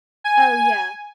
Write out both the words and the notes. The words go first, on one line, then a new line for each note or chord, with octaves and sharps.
Oh, yeah.
G#5